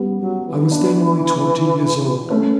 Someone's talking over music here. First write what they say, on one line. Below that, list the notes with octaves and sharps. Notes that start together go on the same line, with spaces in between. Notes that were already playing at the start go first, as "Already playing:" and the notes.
I was then only twenty years old.
Already playing: G3 B3 C#4
F#3
E3
B3 D4
A3 C#4